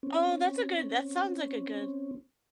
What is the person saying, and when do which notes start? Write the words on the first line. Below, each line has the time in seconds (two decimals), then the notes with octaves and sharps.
Oh, that's a good that sounds like a good
0.03 C4 C#4